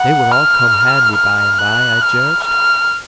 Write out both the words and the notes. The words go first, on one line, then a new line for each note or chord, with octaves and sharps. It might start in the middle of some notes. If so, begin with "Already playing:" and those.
They would all come handy by and by, I judged.
Already playing: F#5
F6
F6
F#6
F6
F6